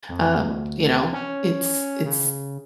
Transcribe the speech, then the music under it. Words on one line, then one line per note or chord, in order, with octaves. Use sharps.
um, you know, it's it's
F2
D2
C#4
C#3